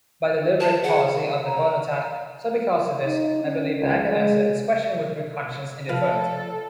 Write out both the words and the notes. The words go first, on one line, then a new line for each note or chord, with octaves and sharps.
By deliberate policy of the Bernotat, so because of this, I believe that I can answer this question with good conscience in the affirmative.
A5
G#4 F#5
A#5
D#4
C#4
C#2
G#3
F3 A4 B4 F5